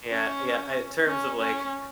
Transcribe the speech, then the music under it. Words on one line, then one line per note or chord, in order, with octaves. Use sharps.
Yeah yeah, in terms of, like,
C#4
C#4
C#4